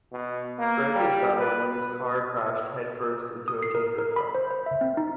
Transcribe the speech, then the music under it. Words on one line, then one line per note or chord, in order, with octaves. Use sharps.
Francis died when his car crashed head first into a tanker truck.
B2
A#3
G3
B4
D#6
C7
A#4
A#4
B5
C5
C5
E5
C4
D#4